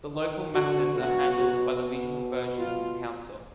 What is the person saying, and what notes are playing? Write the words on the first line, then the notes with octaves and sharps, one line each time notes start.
The local matters are handled by the regional versions of the council.
D#3
D3 F#4
B2 F#4
F4